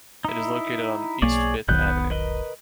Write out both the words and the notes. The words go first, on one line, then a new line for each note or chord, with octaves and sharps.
It is located on East Fifth Avenue.
D#4 E4
B1 A#3 G#4 C#5 D5
E1 B1 D#3 B3 F#6 G6
A#4 B4 D#5